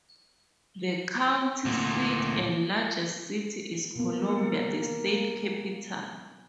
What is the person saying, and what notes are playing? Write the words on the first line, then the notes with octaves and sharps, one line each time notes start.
The county seat and largest city is Columbia, the state capital.
D2 A#2
B2 A#3 B3